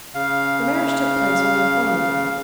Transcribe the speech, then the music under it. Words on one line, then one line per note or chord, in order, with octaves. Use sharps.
The marriage took place on the appointed day.
C#3 F5